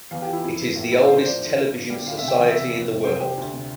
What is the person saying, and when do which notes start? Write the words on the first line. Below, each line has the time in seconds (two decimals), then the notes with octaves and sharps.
It is the oldest television society in the world.
0.11 E2 F5
0.22 E3 G4
0.33 E4
0.43 F2 E4
0.59 E3
0.75 A2
0.92 G3 E4
1.08 A#2 C5
1.21 C5
1.24 F3 D5
1.41 D2
1.57 D3
1.74 D3
1.90 G3
2.06 D2 F5
2.17 E5
2.22 C3
2.28 G5
2.39 E2
2.50 E5
2.56 C3
2.72 F2
2.88 C3
3.05 C3 C5
3.20 G3 G4
3.37 D2
3.54 C3